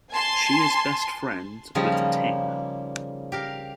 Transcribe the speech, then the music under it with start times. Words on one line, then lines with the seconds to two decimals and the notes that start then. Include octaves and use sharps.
She is best friend with Ting.
0.11 G#5 A5 C6
1.75 C#3 F3 G3 D#4 C#5
1.92 A#3
3.32 G4 A#4 F5